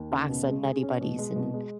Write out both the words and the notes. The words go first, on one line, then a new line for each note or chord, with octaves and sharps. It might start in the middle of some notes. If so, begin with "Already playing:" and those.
box of Nutty Buddys and
Already playing: D#2
C#3
B2
G#3
G#4
C#4
B2
G#3
B2
G#3